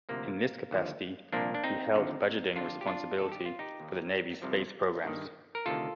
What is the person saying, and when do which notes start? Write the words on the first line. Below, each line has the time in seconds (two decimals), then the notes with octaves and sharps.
In this capacity he held budgeting responsibility for the Navy's space programs.
0.09 D2 C3 F3 A#3
0.71 D#2 D3 F3
1.32 C2 A#2 F3 A#3 D4
1.54 D4
1.64 C4 D#4
1.95 D#2 D3 F3
2.56 F2 D3 F3 D4 F4
2.81 G4
2.87 D4 F4
3.18 G2 D#3 A4
3.32 G4
3.46 F4
3.59 D#4 G4
3.80 D#2 D#3
4.42 C2 C3 F3
5.04 G2 D#3
5.55 A#4
5.66 D2 C3 D#3 F4 A4